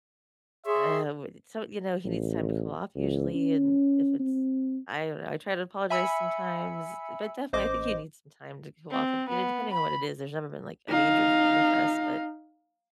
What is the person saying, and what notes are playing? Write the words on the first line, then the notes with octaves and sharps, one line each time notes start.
uh, what it so, you know, he needs time to cool off usually, and if it's I don't know, I try to apologize sometimes, d but, definitely, I think he needs some time to cool off, and, you know, depending on what it is, there's never been, like, a major thing with us, but
G#4 C#5 E5 C6
A1
C#2
C#4
C4
E5 G#5 B5 E6 C#7
A1 C5 D#5 D6
C4
B3
B5
D#4 F5